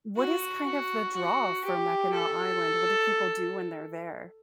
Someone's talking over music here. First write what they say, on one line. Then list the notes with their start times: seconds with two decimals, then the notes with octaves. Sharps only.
what is, kind of the draw for Mackinac Island? What do people do when they're there?
0.17 F#4
0.66 F#4
1.15 F#4
1.65 G4
2.14 A4